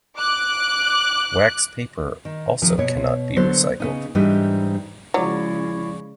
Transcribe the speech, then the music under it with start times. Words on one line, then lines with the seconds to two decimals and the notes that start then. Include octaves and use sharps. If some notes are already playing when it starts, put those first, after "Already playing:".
Wax paper also cannot be recycled.
0.17 D6 F#6
2.25 D#3
2.62 C3 D#3 F3
2.78 B2 C#5
3.36 D3 F#3 B3 A4 C5
3.80 C#3 B3 D#4
4.15 G#2 E3 G3 A3 D4 D#4
5.14 C#3 F3 F#3 G#3 E4 D5 C#6